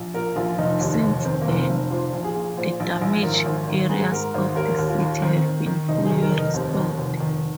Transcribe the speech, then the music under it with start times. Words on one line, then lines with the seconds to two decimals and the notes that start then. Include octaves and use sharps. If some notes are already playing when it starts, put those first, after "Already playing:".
Since then, the damaged areas of the city have been fully restored.
Already playing: A#1
0.14 A#2 A#4
0.36 A#1 F4
0.58 F1 D#4
0.80 D#2
1.03 F1
1.25 D#3 C4
1.42 A#3
1.48 F1
1.58 C4
1.69 F1
1.91 A#2 C5
2.13 A#1
2.24 G#4
2.35 A#2
2.57 A#2 C5
2.80 A#1
3.02 A#1
3.23 G#1 A#4
3.46 G#1
3.68 D#3
3.89 G#2 G#4
4.11 G#2 A#4
4.34 G#1 C5
4.55 D#2 A#4
4.79 D#2
4.89 F4
5.00 D#3
5.22 D#3 C4
5.44 D#3
5.66 D#3
5.88 F1 D#4
6.05 D#3 G#4
6.21 A#4
6.33 F1
6.38 D#4
6.54 D#2 C4
6.77 D#3
6.98 F1
7.20 D#3